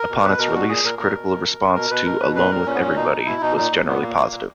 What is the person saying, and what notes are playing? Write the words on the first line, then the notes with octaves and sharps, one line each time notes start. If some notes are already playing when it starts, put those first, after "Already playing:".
Upon its release, critical response to "Alone with Everybody" was generally positive.
Already playing: A#4
B2
B2 B4
B2 A#4
A#2 F#4
A#2 G#4
A#2 A#4
A#2 A#4
B2
B2
B2
B2
B2 A#4
B2 B4
B2 A#4
B2 B4
A#2 B4
A#2 A#4
A#2 C#4
B3
A#2 C#4
B2 D#4
B2
B2 E4
B2 D#4
A#2 D#4
A#2
A#2 B3
A#2 A#3
A#2
A#2